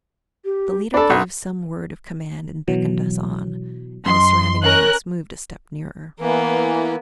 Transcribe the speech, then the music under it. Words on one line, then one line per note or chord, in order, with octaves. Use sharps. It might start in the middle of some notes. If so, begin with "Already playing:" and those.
The leader gave some word of command and beckoned us on, and the surrounding mass moved a step nearer.
G4
D4 A4 B5
B1
B2 E3 F#3
F#2 D#5 C6
C#4 A#4 F#6
E3 A#3 B3